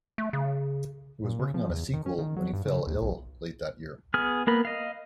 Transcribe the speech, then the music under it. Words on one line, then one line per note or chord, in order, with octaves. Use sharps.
He was working on a sequel when he fell ill late that year.
A3
C#3
A#2
C#3
F3
E2
D#3
C#4
D#3
F#3
G2
C#3
D#2
B1
B3 G#4 F6
A#3 B3 A#4 B5
D#5 F5